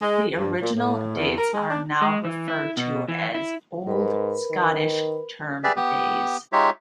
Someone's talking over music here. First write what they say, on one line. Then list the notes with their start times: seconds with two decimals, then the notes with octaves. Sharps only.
The original dates are now referred to as "Old Scottish Term Days".
0.01 G#3
0.39 G2
0.61 A#2
0.76 A2
1.16 E2
1.38 A#4
1.53 G#3
1.70 D4
2.02 G#3
2.25 E3
2.48 E4
2.77 B2
3.08 E3
3.35 E4
3.87 G#2 A#4 B4 B5
4.51 D#3
5.64 G4 G#4 B4 D5 E5
5.76 B3 G4
6.53 G#3 D#4 F4 G4 C#5 E5